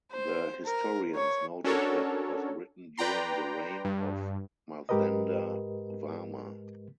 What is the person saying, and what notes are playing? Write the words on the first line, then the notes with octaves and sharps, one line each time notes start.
The historians noted that it was written during the reign of Marthanda Varma.
C5
A#4
C#5
C#4 D4 F#4 A4 A#4 C#5
B4 D5 G5 A#5 C6
G2
G#2 G#3 G4 A#4 B4 D#5